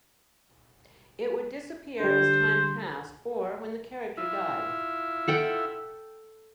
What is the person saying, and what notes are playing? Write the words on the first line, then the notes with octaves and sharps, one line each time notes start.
It would disappear as time passed or when the character died.
D3 G3 C5
E4 F4 E5
A4 F#5 G5